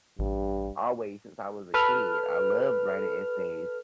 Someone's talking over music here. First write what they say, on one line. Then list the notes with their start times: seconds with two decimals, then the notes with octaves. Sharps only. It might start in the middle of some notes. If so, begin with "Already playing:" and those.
Always, since I was a kid. I loved writing essays.
0.19 A1 G2
1.74 A4 B4 F6